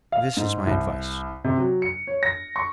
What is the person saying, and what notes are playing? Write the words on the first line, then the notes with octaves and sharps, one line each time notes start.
This is my advice.
F5
G#2
C2
C3
F#3
C#7
C#5
A#6
C#6